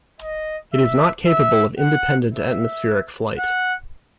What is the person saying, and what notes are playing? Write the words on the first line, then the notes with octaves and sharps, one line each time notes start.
It is not capable of independent atmospheric flight.
D#5
E5
E5
F#5
E5
F#5